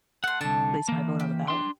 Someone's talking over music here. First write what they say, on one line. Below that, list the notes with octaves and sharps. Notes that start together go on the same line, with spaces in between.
placed my vote on the ballot.
A3 F#5 C6
C2 D3 A5
E3 A#3
G4
D4 C6